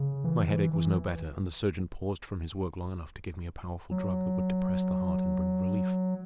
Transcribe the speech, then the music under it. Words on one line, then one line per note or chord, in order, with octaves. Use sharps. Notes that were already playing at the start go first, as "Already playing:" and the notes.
My headache was no better, and the surgeon paused from his work long enough to give me a powerful drug that would depress the heart and bring relief.
Already playing: C#3
E3
E3
E3
F#3